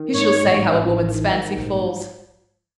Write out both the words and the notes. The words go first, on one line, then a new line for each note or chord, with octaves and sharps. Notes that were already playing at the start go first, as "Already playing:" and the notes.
Who shall say how a woman's fancy falls?
Already playing: D#3
G#2 C#5
A1
A1
D#3
G#2
A#1